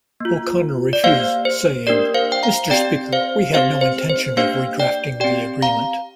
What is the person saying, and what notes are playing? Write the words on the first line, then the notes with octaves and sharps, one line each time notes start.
O'Connor refused saying Mr. Speaker, we have no intention of redrafting the agreement.
A#3 F4
D5
A#3 G4 C5 F5
C5
A#3 D4 G4 A#4 D5
C5 F5
G5
F5 A#5
C4 G4 D5 G5
C5 F5
C4 G4 C5 F5
C5
C5
A#3 D4 G4 C5 F5
D5 G5
C4 G4 D5 G5
F5 A#5